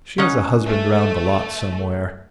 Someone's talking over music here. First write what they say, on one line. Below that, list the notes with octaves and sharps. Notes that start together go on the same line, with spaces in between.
She has a husband round the lot somewhere.
C#4 D#4 F#5
A3